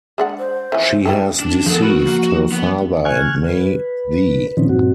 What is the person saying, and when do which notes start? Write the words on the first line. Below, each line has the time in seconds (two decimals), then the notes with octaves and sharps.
She has deceived her father and may thee.
0.18 G#3 D4 F#5
0.39 C5
0.72 E3 F3 C#4
1.05 G3 E4 A4 G5
1.40 D4
1.66 F3 A3 B3 G#4 A4
1.82 F#4 A#4 B4
2.06 F3 A#3
2.52 B3
3.05 G#5 C#6 F6 F#6 G#6
3.49 B4
4.57 A#2 D#3 F3 C4 C#4 D#4
4.69 G2 A#2 C4 F#4